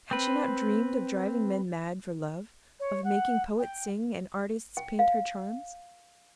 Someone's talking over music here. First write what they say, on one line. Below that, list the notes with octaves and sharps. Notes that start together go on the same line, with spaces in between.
Had she not dreamed of driving men mad for love, of making poets sing, and artists paint her charms?
C4 B4
C#5
F#5
G5
G5
F5